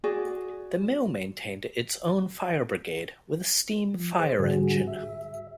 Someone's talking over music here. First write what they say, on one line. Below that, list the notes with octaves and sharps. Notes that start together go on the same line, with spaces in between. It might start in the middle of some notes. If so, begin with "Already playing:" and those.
The mill maintained its own fire brigade with steam fire engine.
F#4 G#4 D5
F3
G#4 C5
G#2 D3 G3 F#4 G#4
E5